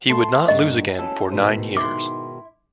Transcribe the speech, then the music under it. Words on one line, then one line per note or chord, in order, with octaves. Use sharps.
He would not lose again for nine years.
A3 A5 C6
G2 A#3 D4 F#4 D#5
C#4 E4 F#4 A4
G#2 B2 D#3
E4 C6 D6